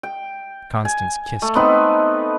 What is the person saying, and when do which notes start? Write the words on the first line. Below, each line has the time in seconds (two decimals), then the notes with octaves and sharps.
Constance kissed her.
0.03 G5
0.85 G#5
1.42 A3
1.55 B3 C4 D#4 B4